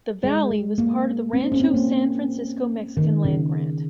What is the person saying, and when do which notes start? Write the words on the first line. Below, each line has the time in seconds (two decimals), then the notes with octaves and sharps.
The valley was part of the Rancho San Francisco Mexican land grant.
0.24 G#3
0.51 G#3
0.78 A#3
1.33 C4
1.52 C#4
1.60 C4
1.74 A#3
2.97 D#3
3.25 C#3